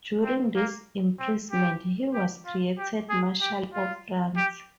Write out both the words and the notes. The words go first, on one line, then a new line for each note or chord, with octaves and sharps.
During this imprisonment he was created marshal of France.
C4
A#3
C4
G4
G4
F4
G4
G#4
G4
F4
G4